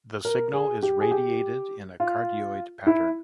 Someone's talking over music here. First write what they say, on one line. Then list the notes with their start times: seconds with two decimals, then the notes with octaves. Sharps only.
The signal is radiated in a cardioid pattern.
0.25 A#4
0.53 G#4
0.83 G4
1.01 G#4
1.11 G4
2.00 F4
2.87 E4